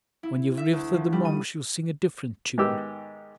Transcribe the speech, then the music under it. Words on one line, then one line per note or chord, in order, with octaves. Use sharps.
When you've lived with the monks you'll sing a different tune.
E4
E5
D2
F3
G3
D#7
G#2 D#3 B3 G4 D6 E6